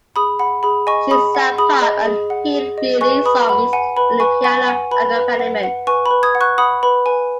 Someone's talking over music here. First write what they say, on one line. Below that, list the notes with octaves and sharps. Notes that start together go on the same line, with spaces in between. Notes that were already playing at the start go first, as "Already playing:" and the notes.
She sang pop and "hillbilly" songs with a piano accompaniment.
G#4 B5 D#6
F#5 B5
G#4 B5
D#5 G#5 C#6
G#4 B5 D#6
F#5
G#4 B5 D#6
D#5
G#4
F#5
G#4
D#5
B4 G#5 C#6
B4 B5 D#6
F#5 B5
F#5 G#5
B4 B5
B4 G#5 C#6
F#5 G#5 C#6
F#5 G#5
B4 B5
B4
F#5
F#5
B4 G#5 C#6
B5
B4
D#6 G#6
F#5
C#6 F#6
F#5 B5 D#6
B4 B5
B4 G#5